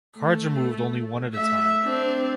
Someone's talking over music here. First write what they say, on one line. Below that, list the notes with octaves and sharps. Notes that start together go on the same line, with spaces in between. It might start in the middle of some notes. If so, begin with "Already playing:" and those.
Cards are moved only one at a time.
A3
A3 E5
C4 D4